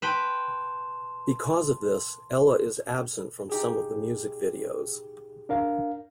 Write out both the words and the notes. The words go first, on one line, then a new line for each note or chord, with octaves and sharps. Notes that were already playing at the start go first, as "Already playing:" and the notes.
Because of this, Ella is absent from some of the music videos.
B4 G5 A5 C6 E7
D#4 G4 G#4
D4 A#4 F5